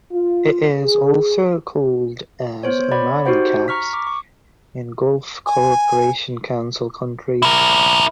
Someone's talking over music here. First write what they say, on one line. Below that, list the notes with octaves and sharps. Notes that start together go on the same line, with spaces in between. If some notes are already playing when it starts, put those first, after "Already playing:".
It is also called as "Omani caps" in Gulf Cooperation Council countries.
F4
G#4
B3 C5 C#5
C#5 D5 F#5 B5
D#4 F#4 G4 C5 F#5
A#5 C#6 F6 B6
D6
C#6
G#5
E4 A#4